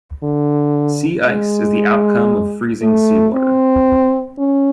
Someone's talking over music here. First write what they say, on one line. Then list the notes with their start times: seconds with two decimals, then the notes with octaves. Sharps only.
Sea ice is the outcome of freezing seawater.
0.23 D3
1.27 G#3
2.82 A3
3.34 C4
4.38 C#4